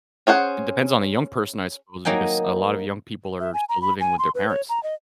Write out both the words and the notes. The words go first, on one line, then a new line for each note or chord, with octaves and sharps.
it depends on the young person, I suppose, because a lot of young people are still living with their parents.
C#4 G#4 C5 F#5
F#3 A#3 D#4 G5 G#5
E5
G#5
A#5
B5
G#5
C6
B4
C#5
A#5
D#5